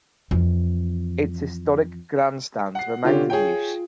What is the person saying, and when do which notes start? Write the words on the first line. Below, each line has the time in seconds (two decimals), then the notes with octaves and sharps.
Its historic Grand Stand remains in use.
0.31 F2 E3
2.75 F#5 C7
3.05 D3 C#4 F4 G4
3.30 G#4 C#5 G5